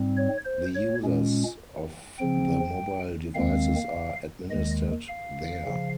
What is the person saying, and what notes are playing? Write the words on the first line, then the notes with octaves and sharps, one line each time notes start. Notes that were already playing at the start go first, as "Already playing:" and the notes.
The users of the mobile devices are administered there.
Already playing: G#2 G3 C4
C#5
C5
C#5
A#2 G#3 C#4
C#3 F3 C4 G5
D#2 D#3 G#3 C4 F5
D#2 D#3 G#3 D#5
F5
C#3 F3